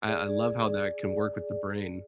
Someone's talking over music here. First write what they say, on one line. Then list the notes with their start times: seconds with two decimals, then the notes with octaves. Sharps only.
I I love how that can work with the brain.
0.07 G#4 D5